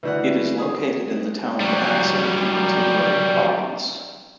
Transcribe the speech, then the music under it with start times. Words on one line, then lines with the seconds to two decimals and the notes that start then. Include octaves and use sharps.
It is located in the town of Axum in the Tigray Province.
0.03 D2 E3 B4 D5 F#5
0.58 G#4 D#6
1.60 F#3 G3